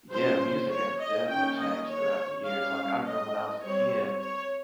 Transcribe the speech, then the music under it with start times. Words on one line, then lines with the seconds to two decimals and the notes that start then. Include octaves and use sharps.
Yeah. Music has definitely changed throughout the years, like, I remember when I was a kid
0.12 F3 A#3 C#4 C5
0.70 C#5
0.99 D#5
1.29 D#3 A#3 C#4 G5
1.58 D#5
1.87 C#5
2.45 G3 C#4 F5
3.04 D#5
3.62 G3 C4 C#5
4.20 C#5